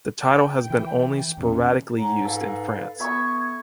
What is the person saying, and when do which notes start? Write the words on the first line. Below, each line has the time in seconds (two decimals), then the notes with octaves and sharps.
The title has been only sporadically used in France.
0.21 G5
0.70 E3
1.37 E2 B2 C#4
1.96 G#2 C#5 A#5
2.25 A4 B4 F5
3.00 B3 E5 B5 C#6 G#6